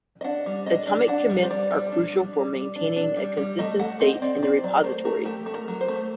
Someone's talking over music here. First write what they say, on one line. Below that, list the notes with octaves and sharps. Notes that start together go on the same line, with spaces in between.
Atomic commits are crucial for maintaining a consistent state in the repository.
D#5
D4 F#5
G3
D4 D#5
D4
D4 F#5
G3
C5
G3 D5
G3
D4
G3
G3
G3
D4
D4
G3
G3
A3 D#5
A3 F#5
C4 D#5
C4 D5
C4 D5
C5
F#3 D5
A#4
A3 C5
A3 A#4
A3 G4
A3
A#4
F#3
C5
A3